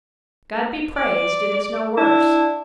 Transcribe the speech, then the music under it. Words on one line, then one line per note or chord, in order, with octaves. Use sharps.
'God be praised it is no worse!
D5
D4 E4